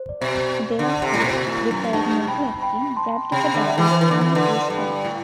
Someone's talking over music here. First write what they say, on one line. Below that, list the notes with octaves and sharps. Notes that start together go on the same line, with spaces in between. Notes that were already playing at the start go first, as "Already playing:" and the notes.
Therefore, without neglecting gravity the bubbles cannot be spherical.
Already playing: C5
D5
B2 C5 E5
D3
C3
A2
B2
A2
F#2
G2 F#5 A5
B2 G5 B5
G5 B5
A5 C6
C3 G5 B5
D3
E5 G5
E3
C5
E3 B4
D3
E3
D3 B4
G2
A2